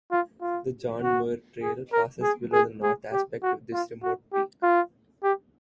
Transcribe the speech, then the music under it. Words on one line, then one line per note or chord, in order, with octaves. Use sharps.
The John Muir Trail passes below the north aspect of this remote peak.
F4
F4
F#4
G#4
A#4
G#4
G#4
G#4
G4
F#4
F4
F#4
G4
F4
G4